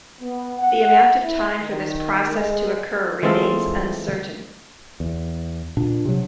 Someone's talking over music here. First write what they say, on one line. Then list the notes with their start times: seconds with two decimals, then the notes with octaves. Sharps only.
The amount of time for this process to occur remains uncertain.
0.20 B3
0.58 F#5
1.21 E4
1.61 D#3
2.31 G#3
3.23 E3 G#3 A3 C4 F4 A4
5.00 E2
5.77 A#2 D4
6.05 C3 F#3